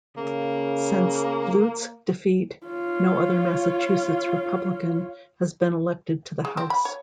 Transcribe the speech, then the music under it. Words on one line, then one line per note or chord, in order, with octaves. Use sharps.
Since Blute's defeat, no other Massachusetts Republican has been elected to the House.
C#3 A#3
F4 C#5
G#4
C4
B5
C#5